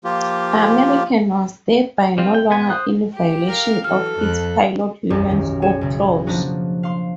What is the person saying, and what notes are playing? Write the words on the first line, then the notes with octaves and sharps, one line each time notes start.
American was thereby no longer in violation of its pilot union scope clause.
F3 A#3 F4 G4
G3 C4 F4
G5
G#3 B3 G#5
C5 D#6 F#6
G4
A#4 F5
E3 F#3 A4 F6
F2 F#6
E1 B1 F#2 G4 D5 C#6
D#3
G#4 C#5 E7
B1 C#3
F3 A#3 B3 D4 D#4 F#4
F5 C6